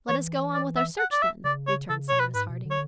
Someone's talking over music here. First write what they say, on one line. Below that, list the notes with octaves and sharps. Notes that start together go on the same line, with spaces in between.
"Let us go on with our search, then," returned Cyrus Harding.
E3 C#5
D5
E5
F#5
D5
E5
C#3 D5
C#5
C#3 A4
B2 C#5
B4
G#2 B4
B2
D3
C#5